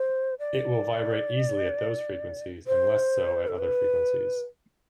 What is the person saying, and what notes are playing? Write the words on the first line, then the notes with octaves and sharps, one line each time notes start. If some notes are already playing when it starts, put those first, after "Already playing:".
It will vibrate easily at those frequencies, and less so at other frequencies.
Already playing: C5
D5
C5
A4
B4